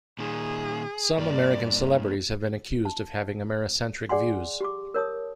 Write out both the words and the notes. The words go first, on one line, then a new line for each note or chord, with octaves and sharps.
Some American celebrities have been accused of having Americentric views.
A#2 D#3 G#4
G2 A#3 D5
A5
G#4 D5 F#5 G#5 C6
G4 C6 D6
A#4 C#5 A5 D#6